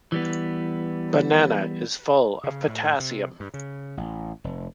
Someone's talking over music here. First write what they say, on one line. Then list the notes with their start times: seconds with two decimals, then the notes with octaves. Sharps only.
Banana is full of potassium.
0.12 E3 G3 B3
2.44 C#3
2.68 A2
3.00 C3
3.40 G2
3.54 C#3
3.97 A1
4.44 F1